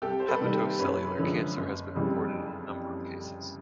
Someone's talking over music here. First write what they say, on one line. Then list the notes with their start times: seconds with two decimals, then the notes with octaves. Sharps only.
Hepatocellular cancer has been reported in a number of cases.
0.02 C2 G4 A4
0.20 C5
0.28 A4 B4
0.41 C3 D#3 G3 A#3
0.54 A4 B4
0.79 F#2 B4 C#5
1.19 D3 F3 G#3
1.57 F#1
1.95 F2 C#3 E3 G3